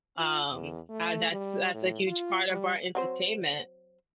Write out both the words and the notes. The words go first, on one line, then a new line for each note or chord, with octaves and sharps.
um, uh, that's that's a huge part of our entertainment,
F4
E2
A3
G3
A2
F4
G3
F#3 C4 C5